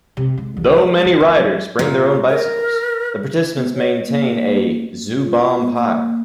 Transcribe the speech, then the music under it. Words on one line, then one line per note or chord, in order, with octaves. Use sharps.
Though many riders bring their own bicycles, the participants maintain a "Zoobomb pile".
C3
G#3
C2
G#3
G#3
B3
F#3
A#2
A#4
B3
C#5
A#3
F4
B3
A#3